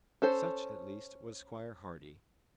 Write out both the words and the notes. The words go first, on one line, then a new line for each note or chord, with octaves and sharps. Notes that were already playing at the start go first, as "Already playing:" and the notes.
Such, at least, was Squire Hardy.
C#4 A4 C5